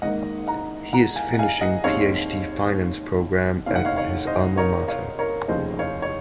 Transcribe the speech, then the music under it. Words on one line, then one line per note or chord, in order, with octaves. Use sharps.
He is finishing PhD Finance programme at his Alma Mater.
G#1 G#2 D#3 A#3 D#5 F#5
F#5 A#5
F#5 A#5
F5 G#5
F#5
F5 G#5
D#5 F#5
D#2 D#3 G#3 C4 C#5 F5
F1 D#2 D#3 F5
F#5
C#5 F5
C#5 F5
C5 D#5
A#4 C#5
C#5 F5
A#4 C#5
F1 D#2 C#3 F3 C5 D#5
C#5 F5
C#5